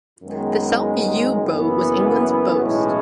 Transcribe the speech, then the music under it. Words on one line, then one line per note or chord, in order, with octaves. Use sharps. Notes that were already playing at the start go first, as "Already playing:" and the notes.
The self-yew bow was England's boast.
F#2 D#3 G#3 B3
F#1 F#2 E3 B3
B1 A2 E3 G#3 C#4